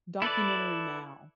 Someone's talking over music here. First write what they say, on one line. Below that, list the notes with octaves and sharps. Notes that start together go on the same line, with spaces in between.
Documentary Now.
E4 A4 B4 D5